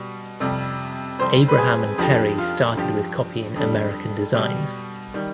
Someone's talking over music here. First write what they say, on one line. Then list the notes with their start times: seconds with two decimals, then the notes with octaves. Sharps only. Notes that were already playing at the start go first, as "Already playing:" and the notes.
Abraham and Peri started with copying American designs.
Already playing: B2 G3
0.40 F2 C3 G3
1.19 F2 C3 G3 C5
1.48 B4
1.58 G#4
1.98 F2 D3 F3 G4
2.38 F4
2.77 G2 F3 G4
3.56 F2 D3 G3
4.34 B2 G3
5.14 D#3 G3